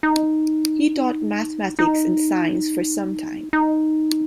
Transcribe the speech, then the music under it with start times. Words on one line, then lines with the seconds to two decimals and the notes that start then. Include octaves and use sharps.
He taught mathematics and science for some time.
0.03 D#4
1.79 D#4
3.53 D#4